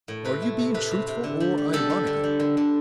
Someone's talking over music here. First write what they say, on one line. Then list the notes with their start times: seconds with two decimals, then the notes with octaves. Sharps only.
Are you being truthful or ironical?
0.08 A2
0.25 C3 B4
0.42 A3
0.59 C3
0.74 C3 B4
0.91 C3
1.08 C3
1.24 D3
1.40 G3
1.58 G3
1.73 G3 A4
1.90 G3
2.07 D3
2.24 G3
2.40 D3
2.57 D3